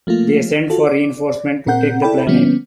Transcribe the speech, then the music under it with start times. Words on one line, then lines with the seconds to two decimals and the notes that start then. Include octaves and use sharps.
They send for reinforcements to take the planet.
0.07 F3 A3 A#3 F4
0.70 F4 F#4 A4
0.87 D5
1.67 A#2 C4 A#4 F#5 G6
2.02 E4 A4 D5 G5 B5
2.27 D3 F3 G3 A#3 B3 C#4